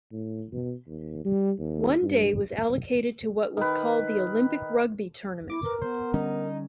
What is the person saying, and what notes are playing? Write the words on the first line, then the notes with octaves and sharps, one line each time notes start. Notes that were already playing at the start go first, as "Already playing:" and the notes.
One day was allocated to what was called the Olympic rugby tournament.
A2
B2
D#2
G3
D#2
G2
D#3 B4
E4 D6
A#4 B4
B3 C5
D3 G3 C#4 D#4